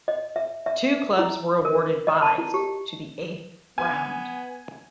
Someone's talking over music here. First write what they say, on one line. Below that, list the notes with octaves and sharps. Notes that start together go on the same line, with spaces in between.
Two clubs were awarded byes to the eighth round.
D#5
E5
E5
E4
A#4
D#5
A5
E4
G4
B3 G#5